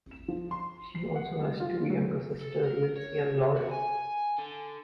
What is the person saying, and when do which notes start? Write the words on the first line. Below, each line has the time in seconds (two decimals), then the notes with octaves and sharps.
She also has two younger sisters, Lynsey and Lauren.
0.11 E7
0.28 F3
0.51 C6
0.95 C7
1.15 F#5
1.39 G3
1.60 F4
1.90 F#3
2.41 A4
2.63 A#4
2.96 C#5
3.57 F#4
3.71 G#5
4.38 D3